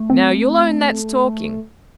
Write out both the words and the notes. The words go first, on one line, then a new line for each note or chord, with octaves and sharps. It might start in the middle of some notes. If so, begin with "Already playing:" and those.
Now, you'll own that's talking.
Already playing: A3
C4